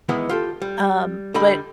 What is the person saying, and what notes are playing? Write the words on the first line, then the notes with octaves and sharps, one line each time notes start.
Um, but
D#3 E3 G#3 B3 E4
F4 G4 A4
G3
D3 G3 D#5 B5